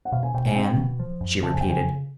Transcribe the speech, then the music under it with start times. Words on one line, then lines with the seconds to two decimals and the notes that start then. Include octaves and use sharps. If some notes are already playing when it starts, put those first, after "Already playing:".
"Dan?" she repeated.
0.05 F#5
0.12 B2 F5
0.23 G#5
0.34 B2 G5
0.45 G#5
0.55 C4 G5
0.77 B2
0.99 F3
1.21 F#2
1.43 C#3 A5
1.52 G#5
1.61 C#3 G5
1.70 G#5